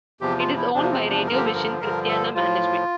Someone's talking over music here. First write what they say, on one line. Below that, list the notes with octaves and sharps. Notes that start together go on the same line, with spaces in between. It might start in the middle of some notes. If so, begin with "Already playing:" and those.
It is owned by Radio Vision Cristiana Management.
E2 C3 F3 G4
F4
E4
E2 C3 F3 D4
A#3
C4
D4
G2 D3 F3 A#4
G4
A4
A#4
G2 D3 F3 A#4
A4
A2 F3 F4